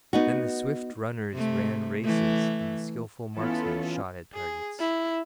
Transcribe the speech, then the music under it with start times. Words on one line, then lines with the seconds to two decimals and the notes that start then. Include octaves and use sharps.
Then the swift runners ran races, and the skilful marksmen shot at targets.
0.13 B3 D#4 F#4
1.33 C3 A3
2.03 E3 A3
3.37 E3 B3 C#4 E4 F4 A4
4.34 G#4
4.79 E4